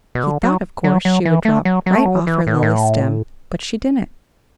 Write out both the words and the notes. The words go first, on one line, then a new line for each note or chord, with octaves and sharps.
He thought, of course, she would drop right off her lily stem; but she didn't.
B2
D3
F#3
F#3
F#3
E3
A3
F#3
F#3
A3
F#3
E3
A2
B2
A2